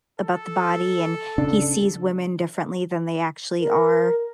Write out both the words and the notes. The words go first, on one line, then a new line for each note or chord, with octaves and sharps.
about the body, and he sees women differently than they actually are.
A4
C#3 D4
A#4